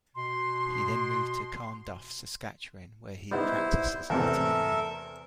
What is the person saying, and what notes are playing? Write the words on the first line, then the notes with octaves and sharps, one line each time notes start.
He then moved to Carnduff, Saskatchewan where he practiced as a veterinarian.
B2 C6
G3 B3 D#4 E4 C5
E2 A2 C3 A4 A#4 E5